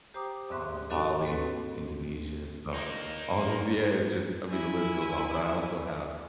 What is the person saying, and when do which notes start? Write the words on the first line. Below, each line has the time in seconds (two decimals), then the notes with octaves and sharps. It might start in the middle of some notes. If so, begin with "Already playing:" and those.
um, Bali, Indonesia. So, all these yeah, it's just I mean, the list goes on. But I also have
0.14 G4 C5 G5 A#5 D6 D#6
0.52 G#2 E5 C6 C#6 F#6
0.90 D4 D#4 F#4 A4 D#5
1.25 C4 F#4 A4 B4
2.74 A#3 D#4
4.50 E4 G#5